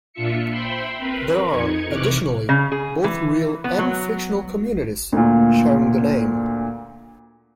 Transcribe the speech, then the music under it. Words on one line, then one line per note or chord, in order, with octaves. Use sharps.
There are, additionally, both real and fictional communities sharing the name.
A#2 D4 F4 E5 C#7
C5 E5 G5 B5 C6
C4 A#4 B4
F2 D#4 G#6 C#7
C3 E3 C#6 D6 F6 F#6
C#3
G#4
E3
B3
F#3
D2 A#2